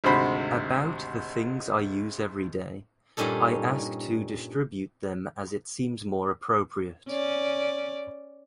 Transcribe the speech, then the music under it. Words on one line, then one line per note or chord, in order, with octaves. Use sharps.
About the things I use everyday, I ask to distribute them as it seems more appropriate.
G#1 D2 C3 F#4 C5 B5
G2 A#2 G3 C#4 D#4 A4
C#4 D5